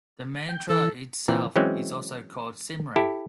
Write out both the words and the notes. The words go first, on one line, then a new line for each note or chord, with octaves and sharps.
The mantra itself is also called Simran.
G5
E3 A4
A#2 E3 C4
E3 F#3 G#3 C4 C#4
E4 G4 A4